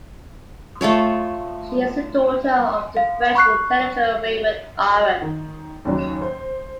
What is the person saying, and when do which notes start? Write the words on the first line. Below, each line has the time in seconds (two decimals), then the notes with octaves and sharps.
She is the daughter of the French intellectual Raymond Aron.
0.81 A3 F4 A4 C#5
2.97 F5
3.35 B5 C#6 F#6 C7
5.22 D#3
5.85 D#2 C#3 F#3
6.21 C5